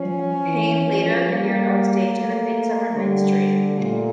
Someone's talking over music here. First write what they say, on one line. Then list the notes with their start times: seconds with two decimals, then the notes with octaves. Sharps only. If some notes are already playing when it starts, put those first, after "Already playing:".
Payne later appeared on stage in "A Midsummer Night's Dream".
Already playing: F3 C#4
0.44 E3
0.86 F3
1.28 G3 A#3
2.12 A3 A#3
2.95 D3 G3
3.79 A#2 A3